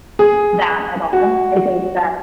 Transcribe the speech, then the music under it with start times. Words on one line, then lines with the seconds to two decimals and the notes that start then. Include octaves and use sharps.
that at all. I think that,
0.19 G#4
1.13 F#4